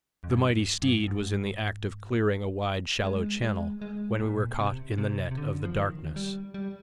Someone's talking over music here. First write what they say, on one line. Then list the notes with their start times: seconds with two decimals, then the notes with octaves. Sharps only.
The mighty steed was in the act of clearing a wide shallow channel when we were caught in the net of the darkness.
0.24 F2
0.30 G2
0.82 G2
1.08 G#2
3.04 G#3
3.42 G#3
3.82 G#3
4.20 A#2
4.59 C3
4.98 C3
5.31 C3
5.37 D3
5.65 F3
5.76 D#3
6.16 G3
6.54 G3